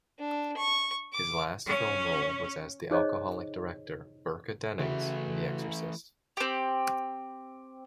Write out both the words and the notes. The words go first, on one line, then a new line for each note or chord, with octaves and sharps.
His last film role was as the alcoholic director Burke Dennings in "The Exorcist".
D4
C#6
D6
C#4
D#4 G#4 C5 C#5 D#5
C#3 E3 A3 E4 F#4
C4 G4